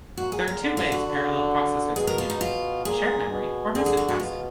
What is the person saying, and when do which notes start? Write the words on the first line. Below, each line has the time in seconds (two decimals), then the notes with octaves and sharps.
There are two ways parallel processors communicate, shared memory or message passing.
0.17 A#2 F#4
0.32 G#4
0.48 A#4
0.61 D3
0.77 F4
0.92 F#4
1.07 D3
1.95 B2 G#4
2.07 A#4
2.18 F4
2.30 D#4
2.41 F4
2.85 A#2 G#4
3.30 B2
3.75 D3 G#4
3.86 G#4
3.97 F#4
4.08 F#4
4.19 B2 F4